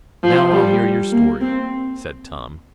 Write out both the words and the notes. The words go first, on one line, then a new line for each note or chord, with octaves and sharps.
"Now I'll hear your story," said Tom.
F3
G3
A#3
C4